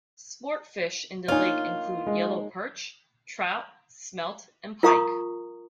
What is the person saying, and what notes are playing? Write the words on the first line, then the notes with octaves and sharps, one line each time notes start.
Sportfish in the lake include yellow perch, trout, smelt and pike.
A#3 D#4 F4 C#5 G#5
G#3
F4 A#4 F5 A#5 C#6 D#6